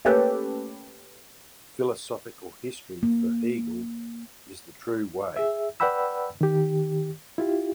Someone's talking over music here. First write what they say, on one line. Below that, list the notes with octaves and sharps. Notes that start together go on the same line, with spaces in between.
Philosophical history for Hegel, is the true way.
A3 A#3 C#4 G4 A4 B4
A#3
G#4 E5
B4 D5 F#5 G5 B5 E6
D#3 G4
E4 F4 G4